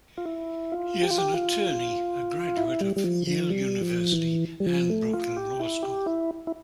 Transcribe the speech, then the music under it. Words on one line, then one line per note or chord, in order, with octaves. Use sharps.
He is an attorney, a graduate of Yale University and Brooklyn Law School.
F4
E4
F4
G4
F4
G4
F4
E4
G3
G3
F3
F3
G3
F3
E3
G3
F3
A3
F4
G4
E4
G4
E4
E4